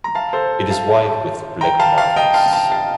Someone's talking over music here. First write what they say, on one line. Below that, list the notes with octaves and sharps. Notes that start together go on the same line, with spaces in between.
It is white with black markings.
A#5
F5 A5
A4 C5
F5 A5
G5 A#5
F5 A5
F5 A5
D#5 G5
F5 A5
F5 A5
F5 A5